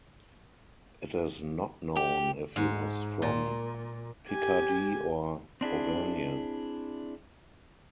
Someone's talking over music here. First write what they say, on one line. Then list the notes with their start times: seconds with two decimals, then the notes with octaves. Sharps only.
It is not known if he was from Picardie or Auvergne.
1.97 G4
2.56 G#2
3.22 A#2
4.29 G4 G#5
5.61 C4 D4 E4 G#4